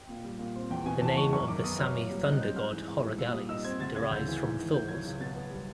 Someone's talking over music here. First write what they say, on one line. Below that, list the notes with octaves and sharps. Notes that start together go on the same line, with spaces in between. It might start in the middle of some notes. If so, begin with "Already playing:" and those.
The name of the Sami thunder god Horagalles derives from Thor's.
Already playing: G5
A#2
G3
A#2
C4
E2 G5
B2 G#5
E2 A5
G#3 C#6
F#2 C#6
D#3 D6
B3 D#6
F#3 F6
A#2
G3
D#4 F#6
C4 G6
G#2 F6
E3
G#2
G3
A#2 E6
G3 D#6
D#4 E6
C4 G#6
D2 A6
C#3 G#6
D2 G6
E3
G#2
D#3
G#2 G6
F#3 G#6
C#2 G#6
B2 A6
B3
G3